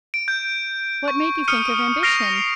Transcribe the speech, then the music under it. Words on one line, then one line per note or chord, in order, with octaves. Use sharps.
What made you think of ambition?
D7
G6
C#6
D#6 F6 C#7 D#7
F6 A#6 C7 D7 F7